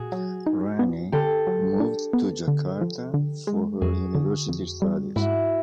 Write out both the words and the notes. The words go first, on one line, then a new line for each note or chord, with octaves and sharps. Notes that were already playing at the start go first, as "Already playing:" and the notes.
Rani moved to Jakarta for her University studies.
Already playing: A#2 F#4 G#4
F#3
D#4
B3
D3 G4 A4
F#3
D4
B3
D3
F3
D3
G#3
F2 F#4 G#4
D3
F2
G3
G#2 E4 F#4